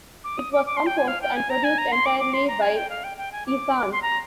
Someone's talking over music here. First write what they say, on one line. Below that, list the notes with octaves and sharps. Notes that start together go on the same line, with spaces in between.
It was composed and produced entirely by Ihsahn.
D6
D#6
D6
D6
C6
G5
G#5
F5
G5
G#5
A#5
G#5
A#5
C6
D6
D6
C6
A#5
G#5
G5
F5
G5
G5
G#5
D6
C6
A#5